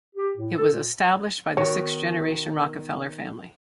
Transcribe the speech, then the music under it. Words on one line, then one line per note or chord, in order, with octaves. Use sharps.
It was established by the six-generation Rockefeller family.
G4
A2
A4
A#2
B2 D#3 C#5